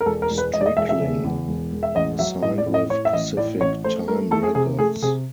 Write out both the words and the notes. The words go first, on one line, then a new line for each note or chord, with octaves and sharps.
Stricklin signed with Pacific-Time Records.
A#4
E1 A4
A#4
E1
B4
E1 D#5
D5
D#5
E1 E5
E5
C#3
E2
E1
E1
E5
A1 D#5
F#3 E5
A2 D#5
D5
A2
D#5
A2 C#5
E5
A1 D#5
A2 D5
A1 C#5
A3 C5
A3 A#4
A3 A4
G#4
C3 G#4
A3 G#4
C3 G#4